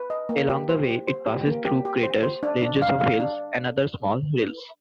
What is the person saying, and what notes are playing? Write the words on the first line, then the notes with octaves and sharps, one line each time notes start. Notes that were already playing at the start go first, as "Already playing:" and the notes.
Along the way it passes through craters, ranges of hills, and other small rilles.
Already playing: B4
D#5
A#3
G4
C5
G4
C5
G4
A#3
G4
G4
C5
C5
D4
D4
F5
F5
D4